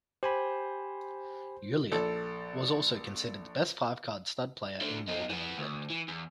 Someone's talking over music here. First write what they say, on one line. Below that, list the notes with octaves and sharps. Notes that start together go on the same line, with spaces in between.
Ulliott was also considered the best five-card stud player in Northern England.
G4 C5 G#5 B5
A#1 A4
D3 A3
B3 D#4
E3 B3
D2
E3
E2